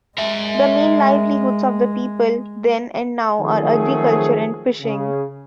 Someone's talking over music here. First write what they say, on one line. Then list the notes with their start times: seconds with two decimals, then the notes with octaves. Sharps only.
The main livelihoods of the people, then and now, are agriculture and fishing.
0.18 G#3 A#4 E5
3.40 D#3 F3 F#3 A3 C4 G#4
4.81 C#3